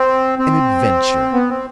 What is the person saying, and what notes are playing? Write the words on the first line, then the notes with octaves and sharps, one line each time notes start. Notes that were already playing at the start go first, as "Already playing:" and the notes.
An adventure!
Already playing: C4
C4
B3
C4